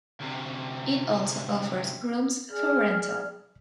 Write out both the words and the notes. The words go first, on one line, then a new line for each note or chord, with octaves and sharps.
It also offers rooms for rental.
D2 C3
G#4 D5 F6